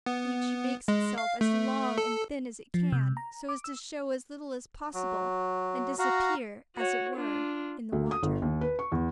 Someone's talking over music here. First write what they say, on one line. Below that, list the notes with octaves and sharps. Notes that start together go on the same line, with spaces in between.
Each makes itself as long and thin as it can, so as to show as little as possible, and disappear, as it were, in the water.
B3
G#3
F5
A3
A4
F3
C3
A#5
D6
E6
F#3
F#4 F5 A#5
F#4 C#5
D4 F4
D2
D#6
G1
D#2
B4
C#6
E2